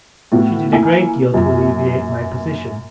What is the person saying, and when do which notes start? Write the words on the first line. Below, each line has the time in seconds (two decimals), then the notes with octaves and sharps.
She did a great deal to alleviate my position.
0.32 A2 B3 F#4
0.72 A#3 E4 G#5
1.34 F#2 A#2